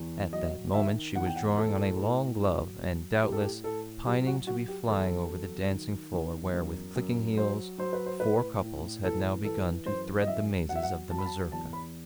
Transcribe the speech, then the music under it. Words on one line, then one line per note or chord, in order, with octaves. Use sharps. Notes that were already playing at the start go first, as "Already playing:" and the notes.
At that moment she was drawing on a long glove and, doubtless, pining to be flying over the dancing-floor, where, with clicking heels, four couples had now begun to thread the mazes of the mazurka.
Already playing: E2
F#3 D#5
D#3 E5
E2 F#5
G5
F#5
A2 A4
A2
F#3
F#3
A2 G4
A4
G4
A2 A4
F#3 G4
F#4
F#3 F#4
G4
E2 A4
F#3
D#3
E2
F#2
F#2
F#3 C5
F#3 C5
B4
C5
A2 B4
A2
E3 A4
E3 A4
F#2 C5
D#5
F#2 E5
F#3 F#5
E5
F#5
F#3 A5
B5
A5
E2 A5
B5